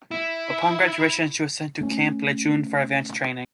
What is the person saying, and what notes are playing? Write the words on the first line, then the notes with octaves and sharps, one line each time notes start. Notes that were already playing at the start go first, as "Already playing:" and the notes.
Upon graduation, she was sent to Camp Lejeune for advanced training.
E4
A3 C#4